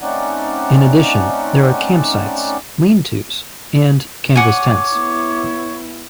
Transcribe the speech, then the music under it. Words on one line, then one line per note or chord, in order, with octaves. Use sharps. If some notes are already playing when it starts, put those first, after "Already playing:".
In addition there are campsites, lean-tos, and canvas tents.
A3 C4 C#4 D#4 D5 F#5
C#5 F#5 G#5 D6
B3 E4